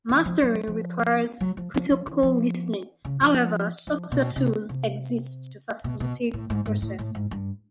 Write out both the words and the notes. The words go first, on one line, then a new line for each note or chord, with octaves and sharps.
Mastering requires critical listening; however, software tools exist to facilitate the process.
E3
F3
F#3
F3
F#3
F3
F3
F3
E3
F3
C#3
F3
F3
B2
C3
C3
B2
B2
A2
G#2
G#2
A2
A2
G#2
G2